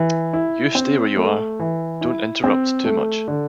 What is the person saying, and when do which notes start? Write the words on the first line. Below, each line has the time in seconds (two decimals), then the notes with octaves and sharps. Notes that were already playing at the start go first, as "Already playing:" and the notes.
You stay where you are — don't interrupt too much.
Already playing: E3
0.33 E4
0.75 C4
1.17 A3
1.60 E3
2.01 E4
2.44 C4
2.85 A3
3.28 D3